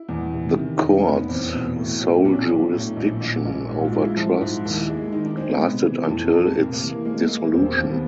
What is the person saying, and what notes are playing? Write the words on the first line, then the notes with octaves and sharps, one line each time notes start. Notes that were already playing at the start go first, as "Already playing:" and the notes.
The court's sole jurisdiction over trusts lasted until its dissolution.
Already playing: E4
E2
C3
D#3
F1 D#4
C#4
F1
B3
E2 C4
B2
A2
F#3
B1 D4
F#3
A2
A#1
A#1
A#1
G#2
F4
G#3
E4
F3
G#2
D#2 E4
G#3
D#3 D#4
D4
G#3 C4
B3
C3
E3
F2
F2
C3 A#3
A#3
E3
A#3
G#3 A#3
A#3
G#3
A#3
E1 C4
C4
D#2 C4
B3